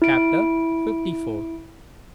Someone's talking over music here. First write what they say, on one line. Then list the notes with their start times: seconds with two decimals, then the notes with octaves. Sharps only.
Chapter LIV.
0.02 E4 D7